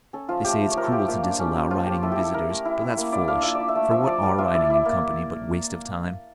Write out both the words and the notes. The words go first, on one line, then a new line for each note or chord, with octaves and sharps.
They say it's cruel to disallow writing and visitors; but that's foolish, for what are writing and company but waste of time?
C#4 A4
F3 F4
A3 G4
A3
C#5
F3 A#4
A4
F3 G4
A#3 F4
D4
C#4
C#4
F3 F4
F3 G4
E4 A4
G4
E4 A4
E4 A#4
A3
E4
E4
A#3
E4 D5
D4 F5
F4 E5
D5
E4
E5
A3
F3 E5
F3 D5
G3 D5
F4 E5
E4 D5
E4
A#3